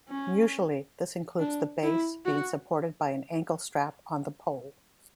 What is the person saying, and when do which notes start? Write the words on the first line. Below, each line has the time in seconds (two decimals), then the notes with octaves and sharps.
Usually this includes the base being supported by an ankle strap on the pole.
0.09 C#4
1.39 D4
1.83 E4
2.25 F#4